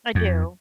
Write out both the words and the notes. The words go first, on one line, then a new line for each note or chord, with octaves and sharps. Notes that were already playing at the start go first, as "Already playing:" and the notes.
I do.
F2